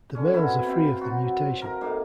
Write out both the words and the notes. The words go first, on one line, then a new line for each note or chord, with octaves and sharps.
The males are free of the mutation.
D3 C#4
B3 C4 E4 F#4
C4 F4 G5 B5
F#3 F#4
A#4 F5 A#5
A2 D#3 A#3 F5